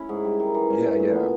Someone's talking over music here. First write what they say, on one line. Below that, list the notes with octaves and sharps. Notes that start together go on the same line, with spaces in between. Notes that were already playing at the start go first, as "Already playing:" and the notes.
Yeah, yeah.
Already playing: C#4 E4
G#2
G3
D#3
E3
C#4
A3
A#2
B3